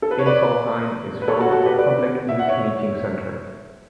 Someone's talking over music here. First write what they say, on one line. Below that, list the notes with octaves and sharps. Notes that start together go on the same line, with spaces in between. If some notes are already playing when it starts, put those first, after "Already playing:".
In Saulheim is found a public youth meeting centre.
A4
B4
C#5
B4 D5
B4
A4 C#5
F#4 A4
F#4 A4
G4 B4
B4 D5
E5
F#5
C#5 E5